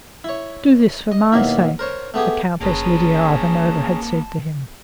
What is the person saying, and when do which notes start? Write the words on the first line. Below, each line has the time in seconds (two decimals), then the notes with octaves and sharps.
"Do this for my sake," the Countess Lidia Ivanovna had said to him.
0.24 E4 C#5
1.12 D#5
1.32 D#2 B2 A#3 E4
1.79 A#4 C5 C#5
2.14 A3 B3 G4 G#4
2.61 F#1 A#3 C#4 G#4 B4 A5 A#5